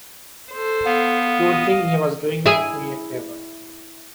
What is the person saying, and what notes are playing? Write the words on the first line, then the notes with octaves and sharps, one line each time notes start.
You'd think he was doing me a favor.
A4 C5
B3 F5
D#5
E4 G#4